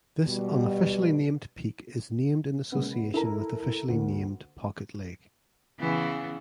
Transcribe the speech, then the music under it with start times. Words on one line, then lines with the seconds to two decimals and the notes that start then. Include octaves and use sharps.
This unofficially named peak is named in association with officially named Pocket Lake.
0.24 B2 G3
2.72 C#3 G#3 A#3 B3
3.14 E4 A4 A#4 A#5
3.88 D2 A#3
5.79 C#3 E3 B3